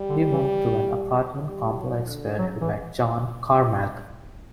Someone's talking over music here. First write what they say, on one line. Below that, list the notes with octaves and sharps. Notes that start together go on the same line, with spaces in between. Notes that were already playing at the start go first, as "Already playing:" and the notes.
He moved to an apartment complex where he met John Carmack.
Already playing: G3
D3
E3
G3
F#3
D3
C#3 F#3
E3